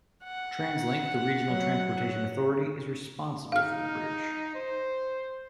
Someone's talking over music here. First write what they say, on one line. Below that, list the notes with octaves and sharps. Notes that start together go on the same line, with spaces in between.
TransLink, the regional transportation authority, is responsible for the bridge.
F#5
F#3
D#4 F5 F6
C5